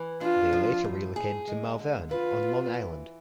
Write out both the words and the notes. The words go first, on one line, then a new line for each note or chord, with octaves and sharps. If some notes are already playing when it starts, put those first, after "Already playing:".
They later relocated to Malverne, on Long Island.
Already playing: E3
D4 F4
F3
A2
G#4
G#3
D3
F4 B4
B3
E3